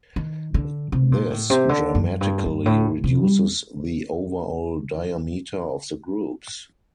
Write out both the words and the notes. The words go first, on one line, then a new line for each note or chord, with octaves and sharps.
This dramatically reduces the overall diameter of the groups.
D#3
D3
C3
A#2
A2
C3
D3
F#2
G2
G2
A2
C3
G3